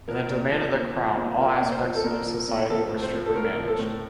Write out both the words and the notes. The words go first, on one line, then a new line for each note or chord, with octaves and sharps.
In the Domain of the Crown all aspects of society were strictly managed.
F3 A#4
A#2
F3
A#2
F3
A#2
F3 A#4
A#2
C5
F3
A4
A#2 A#4
F3
A#2
F3 A4
A2
C5
F3
A4
A2 A#4
F3
A4
A2